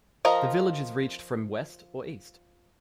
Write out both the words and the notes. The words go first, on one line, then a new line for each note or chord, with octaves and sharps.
The village is reached from west or east.
F3 F4 A#4 D#5